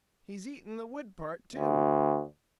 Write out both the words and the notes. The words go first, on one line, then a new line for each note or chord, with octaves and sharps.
He's eatin' the wood part, too!
D2